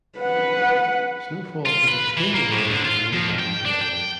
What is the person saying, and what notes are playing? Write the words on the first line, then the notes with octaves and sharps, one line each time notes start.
Snowfall is extremely rare in low-lying areas.
B4 F#5
F4
B4
E3
A#3
A2
D3
F4
F2
G5
D4
G5